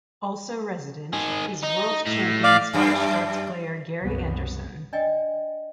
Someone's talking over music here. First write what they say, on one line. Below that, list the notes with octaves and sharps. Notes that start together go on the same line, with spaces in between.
Also resident is world champion Scottish Darts player Gary Anderson.
D#3 G#4
D#4
A2
D5 F5
F#2 G3 D4
C2 F#2 B3
D4 D5 D#5 G5 G#5